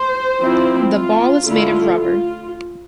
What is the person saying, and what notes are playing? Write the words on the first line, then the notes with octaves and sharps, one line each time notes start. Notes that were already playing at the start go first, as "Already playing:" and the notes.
The ball is made of rubber.
Already playing: C5
F3 C4 E4
F4
D3 A3 E4 F4
F4